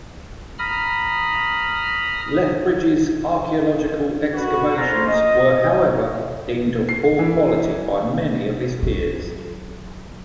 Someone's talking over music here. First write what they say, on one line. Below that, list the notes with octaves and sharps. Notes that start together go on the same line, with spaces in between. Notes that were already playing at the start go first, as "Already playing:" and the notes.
Lethbridge's archaeological excavations were however deemed of poor quality by many of his peers.
A#5 B5 D#6 F6
F#4 B4
C#4 F4 C5 F5 A#5
D#5
C7
E3
F#3